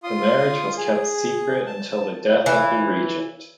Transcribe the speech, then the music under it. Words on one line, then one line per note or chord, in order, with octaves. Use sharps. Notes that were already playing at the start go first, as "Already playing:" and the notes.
The marriage was kept secret until the death of the regent.
F4 C6 D#6
G#4
A5
E3